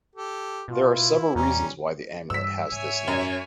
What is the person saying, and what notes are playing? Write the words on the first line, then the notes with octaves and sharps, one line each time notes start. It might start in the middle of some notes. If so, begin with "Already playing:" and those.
There are several reasons why the amulet has this name.
G4 A4
B2 F4
E4
E2 G3 C#4 A#5
G2 E3 E6 B6
G#2 C#5 E5 G#5
F#2